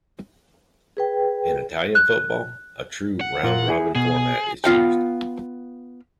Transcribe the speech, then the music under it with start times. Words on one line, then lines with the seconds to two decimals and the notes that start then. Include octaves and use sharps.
In Italian football, a true round-robin format is used.
0.97 G#4 B4 G5
1.95 F#6
3.21 F#5
3.43 A#2 A#3 F4
3.68 E4 G#4
3.95 B2 G#4
4.64 B3 F4 F5 G5